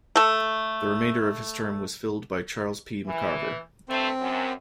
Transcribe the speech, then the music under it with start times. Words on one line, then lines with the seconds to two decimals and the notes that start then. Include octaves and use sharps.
The remainder of his term was filled by Charles P. McCarver.
0.16 A3 A4
3.07 E3
3.89 G2 A3 C4 C5
4.20 F#2